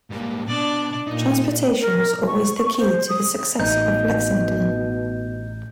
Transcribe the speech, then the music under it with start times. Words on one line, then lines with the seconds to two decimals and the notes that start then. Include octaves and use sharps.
Transportation was always the key to the success of Lexington.
0.11 G#2 G3 A#3
0.48 B2 D4 D5
1.07 A#2 D#4
1.81 A#4
2.27 C#6
2.79 C5
3.09 D#6
3.60 A1 B2 D#4 G6